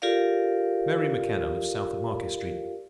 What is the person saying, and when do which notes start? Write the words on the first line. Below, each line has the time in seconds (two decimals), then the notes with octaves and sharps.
Mary McKenna lives south of Market Street.
0.02 F4 G4 A4 A#4 D5 F5